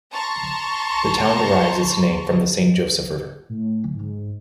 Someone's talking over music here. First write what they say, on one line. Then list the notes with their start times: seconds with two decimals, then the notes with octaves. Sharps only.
The town derives its name from the Saint Joseph River.
0.12 A5 A#5 C6 C#6
3.49 A2
3.94 G#2